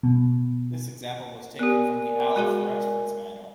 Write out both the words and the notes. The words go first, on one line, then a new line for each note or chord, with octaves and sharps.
This example was taken from the Alef reference manual.
B2
B3 G4 A#4 D5 G#5
G#3 F#4 G#4